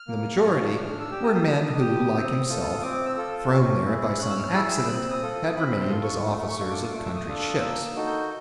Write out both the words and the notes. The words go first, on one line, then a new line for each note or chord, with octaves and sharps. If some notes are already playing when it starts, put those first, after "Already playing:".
The majority were men who, like himself, thrown there by some accident, had remained as officers of country ships.
Already playing: F6
A#3
C#4 F4
D4 F6
E6
G4 D6
D#6
D4
G4
C4
F4 A4
C4 D6
E6
F4 A4
C#4
E4 G#4
C#4 F#6
E6
F6
E4 G#4 E6
E6
C4 F#6
D#6
F4 A4
D#6
C4 B5
C6
F4 A4
C#6
A3
C#6
D4 F4 A4
D6
A3 D6
E6
D#6
D4 F4 A4
D#6
A#3 E6
D#4 F#4 A4
G6